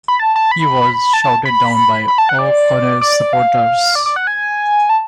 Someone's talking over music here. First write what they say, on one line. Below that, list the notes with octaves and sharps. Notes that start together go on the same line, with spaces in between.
He was shouted down by O'Connell's supporters.
B5
A5
A5
B5
A5
A5
B5
B5
A5
F#5
D5
D5
F5
D5
D5
F#5
G#5
A5